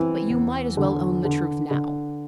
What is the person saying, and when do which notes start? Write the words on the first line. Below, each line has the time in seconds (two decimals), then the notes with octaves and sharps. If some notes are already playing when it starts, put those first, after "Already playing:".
But you might as well own the truth now.
Already playing: E3 C4
0.30 E2
0.77 D3
1.25 D3
1.71 D3